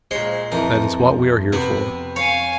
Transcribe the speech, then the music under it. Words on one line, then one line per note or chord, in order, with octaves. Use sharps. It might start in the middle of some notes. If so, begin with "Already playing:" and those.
That is what we are here for.
A#2 G#3 C5 C#5 C6
F2 E3 A#4
C3 B3 F#4 B4
C#5 F5 G#5